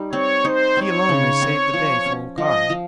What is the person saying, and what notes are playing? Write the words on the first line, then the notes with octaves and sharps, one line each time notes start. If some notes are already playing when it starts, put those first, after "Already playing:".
He alone may save the day for Okar.
Already playing: G3 D#4
C4 C#5
D#4 C5
C4 C#5
C#3
C4
F3
C#4
F3 D#5
F3